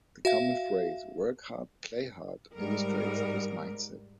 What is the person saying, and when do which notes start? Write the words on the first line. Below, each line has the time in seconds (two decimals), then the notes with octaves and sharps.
The common phrase "Work hard, play hard" illustrates this mindset.
0.25 F#4 E5 F5
2.54 G#2 G3 A#4